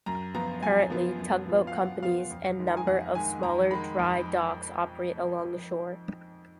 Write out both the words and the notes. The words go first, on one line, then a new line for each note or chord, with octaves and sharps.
Currently, tugboat companies and number of smaller dry docks operate along the shore.
F#2 A#5
F3 B3 F4 A#5
F#2 G#5
F3 B3 F4
F#2
F3 B3 F4
F5
F#2 F#5
F3 B3 F4 F5
F2
D#3 G#3
A#5
G#5
F2 F#5
D#3 G#3 G#5
F2 A#5
D#3 G#3 B5
F2